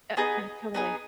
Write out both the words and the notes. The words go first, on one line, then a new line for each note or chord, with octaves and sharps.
Uh, yeah, totally.
B3 D#4 G#4
B3 D#4 G#4